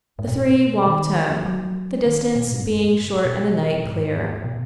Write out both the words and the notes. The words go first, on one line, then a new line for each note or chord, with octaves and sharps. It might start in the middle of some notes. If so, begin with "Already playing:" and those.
The three walked home, the distance being short and the night clear.
G#2
B2
D#3
F#3
D#3
B2
G#2
F#2
G#2
F#2
G#2
C#3
B2
B2
G#2
B2